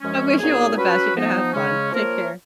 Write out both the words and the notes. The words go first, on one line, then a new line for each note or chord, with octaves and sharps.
I wish you all the best, you gonna have fun. Take care.
F#2 F3 G#3 C#4
A#2 F#3 B3 D#4 G#4
F#3 C#4 F#4 B4
F3 B3 D#4
C#3 G#3 C#4
F3 A#3 F4 A#4 C#5